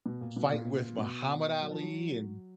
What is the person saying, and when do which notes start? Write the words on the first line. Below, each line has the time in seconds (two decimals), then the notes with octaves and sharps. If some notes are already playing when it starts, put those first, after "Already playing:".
fight with Muhammad Ali and
0.06 B2
0.21 A#2
0.36 B2
0.52 A#2
0.98 B2
1.61 F#3
1.71 F3
1.81 F#3